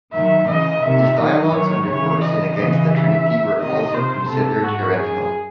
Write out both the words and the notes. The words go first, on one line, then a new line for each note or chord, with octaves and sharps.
His dialogues on divorce and against the Trinity were also considered heretical.
D#3 F#3 E5
C#3 E3 D#5
C3 D#3 E5
D#3 F#3 D#5
D#3 F#3 C#5
C#3 E3 C#5
D#5
C#3 E3 D#5
E5
C3 D#3 D#5
C3 C5
C3 A4
G#2 F#4
F#2 G#4